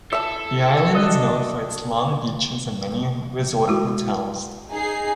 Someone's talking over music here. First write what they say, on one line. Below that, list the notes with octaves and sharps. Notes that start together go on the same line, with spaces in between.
The island is known for its long beaches and many resort hotels.
E4 A4 E5 A5
D4 F#4 D#5
G#3 E4 F#4
D#4 G#4 C7